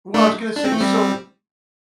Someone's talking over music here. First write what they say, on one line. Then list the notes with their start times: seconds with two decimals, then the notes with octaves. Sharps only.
Well, I was gonna say so
0.14 A3 D4
0.56 D4
0.64 C4
0.72 A3
0.80 G3 C4